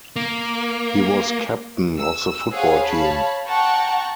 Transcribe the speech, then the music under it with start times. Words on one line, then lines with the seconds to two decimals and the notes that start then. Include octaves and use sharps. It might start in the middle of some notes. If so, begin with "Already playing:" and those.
He was captain of the football team.
0.16 A#3
1.97 E6
2.51 G#4 C5 C#5 F5 F#5
2.83 C#5 F5 A5 B5
3.48 F#5 G5 A5 A#5 C#6